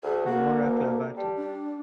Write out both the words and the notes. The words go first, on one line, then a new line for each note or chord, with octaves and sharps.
Femora clavate.
D2 G#4
A#3 F#4
D2
G3 A5
D4